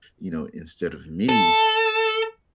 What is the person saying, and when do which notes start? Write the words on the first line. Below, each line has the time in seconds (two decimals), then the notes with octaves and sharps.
you know, instead of me,
1.29 A4